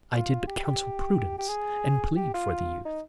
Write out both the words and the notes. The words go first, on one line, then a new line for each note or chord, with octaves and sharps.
"I did but counsel prudence, and plead for the youth."
F4
G4
G4
G4
G#4
G4
F4
D#4